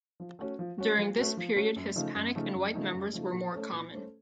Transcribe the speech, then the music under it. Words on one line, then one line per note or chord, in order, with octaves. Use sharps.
During this period Hispanic and white members were more common.
F3
A3 C#4 F#4
F3
A3 C#4 F#4
F3
A3 C#4 F#4
F3
A3 C#4 F#4
F#2
C#3 F3 A3 D#4
F#2
C#3 F3 A3 D#4
F#2
C#3 F3 A3 D#4
F#2
C#3 F3 A3 D#4
A#2
A3 C#4 A4 C5
A#2
A3 C#4 A4 C5